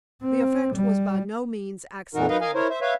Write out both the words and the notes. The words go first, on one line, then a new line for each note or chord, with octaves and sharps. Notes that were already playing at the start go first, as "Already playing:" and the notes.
The effect was by no means accidental.
C4
G3
F2 A#2 E3 D#4 F#4 A#4
D#4 A#4 B4 D#5 F5
A#4 D#5 F5 G#5
E4 A#4 C5 C#5
C5 E5
B4 C#5 E5 F5